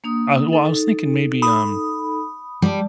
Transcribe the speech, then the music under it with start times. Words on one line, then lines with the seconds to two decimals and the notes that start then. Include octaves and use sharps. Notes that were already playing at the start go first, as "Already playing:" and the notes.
I well, I was thinking maybe, um,
0.04 A#3 D4 D#6
0.48 D#4 A4
1.42 B5 D#6
2.62 G3 D5 A5